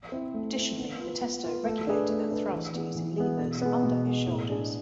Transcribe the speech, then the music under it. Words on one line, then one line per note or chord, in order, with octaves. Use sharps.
Additionally, the tester regulated the thrust using levers under his shoulders.
C4 E4
A3
C4 E4
B3
F4 B4
B3
F4 B4
A3
D4 G#4 B4 D5
A3
D4 G#4 B4 D5
E3
B3 E4 G#4
E3
B3 E4 G#4
B2
G#3 B3
B2
G#3 B3
A2
G#3 D4 G#4